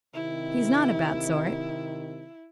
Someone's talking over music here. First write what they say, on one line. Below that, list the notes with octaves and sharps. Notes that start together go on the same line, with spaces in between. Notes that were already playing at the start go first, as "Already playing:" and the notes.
He's not a bad sort.
C3 D#3 E4